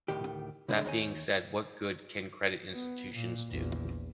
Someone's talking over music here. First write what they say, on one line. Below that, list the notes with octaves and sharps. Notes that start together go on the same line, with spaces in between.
That being said, what good can credit institutions do?
D2 A2 D#3 G4
C2 D3 G#3 D4
D#2 D#4 C#5 G#5
B3
A#2
A#1 E2